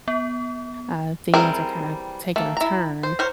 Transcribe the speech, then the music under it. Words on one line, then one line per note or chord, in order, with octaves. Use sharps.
uh, things are kinda taking a turn.
B3
E3 G3 C4 G#4 A#4
A3 A#3
E4 A#5
C5
A#4 C5 C#5